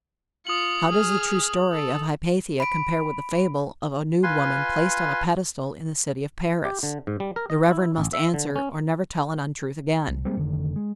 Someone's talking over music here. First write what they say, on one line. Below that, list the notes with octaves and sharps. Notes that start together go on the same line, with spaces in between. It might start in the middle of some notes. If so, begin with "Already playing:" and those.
How does the true story of Hypatia compare with the fable of "a nude woman placed on a pedestal in the city of Paris?" The Reverend must answer, or never tell an untruth again.
F4 D#6 C#7 F#7
G#4 F6
A4
B5 D7
F4 B4 G#5 C6
G4
D3
G#2
G3
A#4
D#5
E4
A1
E5
D3
C#4
C2
G3 G#3 A#3 C4
F1 D3 D#3
G#3